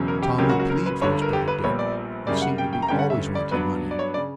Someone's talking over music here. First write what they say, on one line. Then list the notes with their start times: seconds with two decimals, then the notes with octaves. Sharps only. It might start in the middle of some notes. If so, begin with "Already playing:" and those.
Tom would plead for his brother Dick, who seemed to be always wanting money.
Already playing: E1 E2 C#3 F#3 C#4
0.08 A#4
0.22 G4
0.38 C#2 C#3 F#3 A#3 C#4 G4
0.49 F#4
0.60 F#4
0.70 A#4
0.86 B4
1.01 G1 G2 D3 C#5
1.22 A#4
1.33 G4
1.48 B4
1.64 A#1 A#2 G3 B3 C#5
1.79 D5
2.26 F#2 C#3 G3 A#3 D5
2.42 F#5
2.58 G5
2.73 G5
2.82 A#5
2.88 G1 G2 D3 G3 C#4 G5
2.99 F#5
3.10 E5
3.35 D5
3.51 G2 F#3 B3 D4 B4
3.91 D5
3.99 C#5
4.14 D5
4.17 C#3